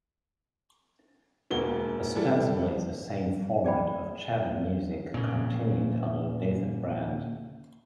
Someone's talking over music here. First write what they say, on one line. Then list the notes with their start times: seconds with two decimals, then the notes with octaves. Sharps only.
Ostensibly the same format of chat and music continued under a different brand.
1.50 E1 D2 A#3 F#4 G7
2.15 E3 G3 D4 E4 A4
3.64 G#4 D5 G5 B5
5.14 A#2 C#3